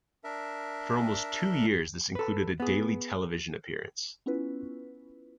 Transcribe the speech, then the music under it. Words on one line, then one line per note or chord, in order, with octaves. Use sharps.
For almost two years this included a daily television appearance.
D4 A#4 E5
A4 B4
B3 G#4
B3 C#4 E4 F4 B4